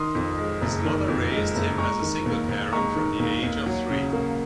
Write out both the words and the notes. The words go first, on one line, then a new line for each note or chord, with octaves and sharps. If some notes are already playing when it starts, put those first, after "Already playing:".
His mother raised him as a single parent from the age of three.
Already playing: D#3 C6 D#6
F2
G#3
F#1
D#3
F2
G#3
F#1
G#3 A#5 C#6
D#3
D#2
D#2
G#3 A#5 C#6
D#3
D#2
D#2
F#3
C#3
A#3